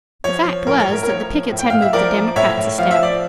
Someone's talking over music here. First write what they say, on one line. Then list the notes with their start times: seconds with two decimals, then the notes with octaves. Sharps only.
The fact was that the pickets had moved the Democrats a step.
0.24 F3 C#5
0.45 F3
0.67 A2 A#4
0.80 C#5
0.88 A2 A#4
1.03 A#4
1.09 F3 C#5
1.30 F3
1.52 A2
1.59 G5
1.70 A2 F5
1.82 E5
1.93 F3 A#4 D5
2.14 F3
2.36 A2 C#5 E5
2.57 A2
2.78 F3 F5
2.91 E5
2.99 F3 D5